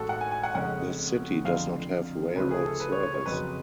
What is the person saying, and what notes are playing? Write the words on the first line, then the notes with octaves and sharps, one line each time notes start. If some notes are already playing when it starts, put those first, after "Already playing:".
The city does not have railroad service.
Already playing: A1 A2 G#3 C#4 F#4 A4
F#5
G#5
G#5
F#5
F1 F2 C#3 G#3 C#4 F#5
F#1 F2 D3 F3 F5
D2 C#3 F3 A3 C#4 B4
G#4
A4
B4
C#5
C#5
C#5
F#1 F2 C#3 F#3 B4